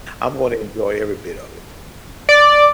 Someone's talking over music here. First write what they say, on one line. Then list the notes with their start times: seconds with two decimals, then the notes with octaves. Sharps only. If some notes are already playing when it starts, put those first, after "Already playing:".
I'm gonna enjoy every bit of it
2.29 D5